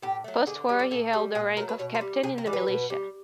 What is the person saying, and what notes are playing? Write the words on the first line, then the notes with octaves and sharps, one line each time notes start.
Post-war he held the rank of captain in the Militia.
A2 G4
F#3 A3
D3 G#4
G3 G#4
A4
A#2 A4
G3 G#4
A#2 G#4
F#3 A3 A#4
B4
B2 C#5
C5
G3
C3 G#4
A#4
E3 G3
B4
B2
G3